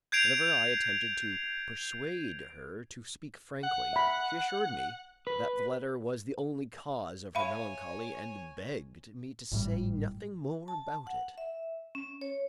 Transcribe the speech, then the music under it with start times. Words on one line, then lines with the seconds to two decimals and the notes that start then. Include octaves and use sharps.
Whenever I attempted to persuade her to speak frankly, she assured me that the letter was the only cause of her melancholy and begged me to say nothing more about it.
0.12 G6 G#6 C7 D7 F7
3.63 F#5
3.93 E5 B5
5.27 B4
7.35 C#5 E5 F5 G#5 B5
9.52 G#1 A2 G3
10.68 A5
11.07 F#5
11.38 E5
11.95 C#4
12.21 C#5